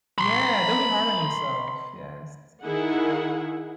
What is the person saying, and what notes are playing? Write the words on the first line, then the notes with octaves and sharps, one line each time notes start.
Yeah, don't be hard on yourself, yes.
B5 C6
D#3 E4 G#4 F#5